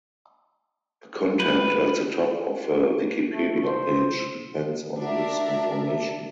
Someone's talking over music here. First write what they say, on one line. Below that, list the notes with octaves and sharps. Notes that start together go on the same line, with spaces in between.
The content at the top of a Wikipedia page depends on this information.
B4
A3
C5
D4 F#4 A#4 E5